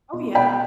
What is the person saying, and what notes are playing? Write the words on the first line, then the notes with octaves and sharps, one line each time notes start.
Oh, yeah.
B2
B2 G5 B5